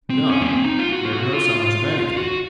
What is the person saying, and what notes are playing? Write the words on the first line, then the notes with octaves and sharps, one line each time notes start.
'None,--there were no signs of anything.
C4
C#4
A#3
C4
D#4
F4
F#4
F4
F#4
F4
F#4